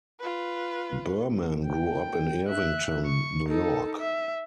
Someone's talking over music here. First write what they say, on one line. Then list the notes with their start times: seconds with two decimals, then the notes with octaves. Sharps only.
Berman grew up in Irvington, New York.
0.20 F4 B4
1.66 G5
2.49 E5 F#6
3.06 C#6
3.48 D#4 A4
4.01 E5